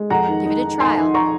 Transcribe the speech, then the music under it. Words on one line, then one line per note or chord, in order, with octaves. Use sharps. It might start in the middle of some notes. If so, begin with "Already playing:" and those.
Give it a Trial.
Already playing: G#3
F2 F#5 A#5
D#3
D#4
D#4
D#3 G#5 C6
D#4
D#3 A#5 C#6